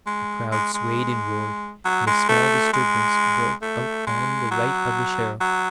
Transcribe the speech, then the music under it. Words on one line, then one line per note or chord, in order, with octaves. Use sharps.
The crowd swayed and roared, and a small disturbance broke out on the right of the Sheriff.
G#3
G#3
G#3
F#3
G#3
A3
G#3
A3
G#3
F#3
F#3